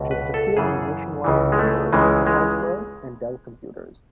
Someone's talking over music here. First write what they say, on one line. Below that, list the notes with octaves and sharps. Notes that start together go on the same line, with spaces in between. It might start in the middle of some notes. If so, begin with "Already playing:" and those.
She has appeared in nationwide commercials for Hasbro and Dell Computers.
Already playing: C#2 B2
B4
A4
F#2 C#3 E3 G#4
C#2 C#3 E3
G#3
A3
C#2 C#3 E3 G#3
G#3